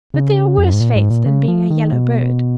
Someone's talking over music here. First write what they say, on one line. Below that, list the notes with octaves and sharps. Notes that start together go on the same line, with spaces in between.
But there are worse fates than being a yellow bird.
C#3
F2
F#2
G#2
A#2
G#2
A#2
C#3
F3
D#3
B2